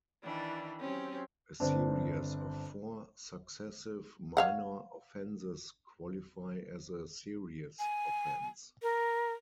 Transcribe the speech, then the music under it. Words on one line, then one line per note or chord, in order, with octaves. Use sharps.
A series of four successive minor offenses qualify as a "serious" offense.
D#3 E3 G3 D4
F#3 C4 C#4 G4
G1 C4 D4
C#5 F5 F#5
G#5
A#4